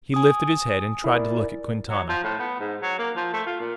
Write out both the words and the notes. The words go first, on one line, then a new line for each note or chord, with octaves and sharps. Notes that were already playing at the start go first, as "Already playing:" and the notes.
He lifted his head and tried to look at Quintana.
G#5 D#6
E4 A#4 D5
F#3
F3
A2
B3
G#2
F#3
A#3
F3
A3
F4
A#2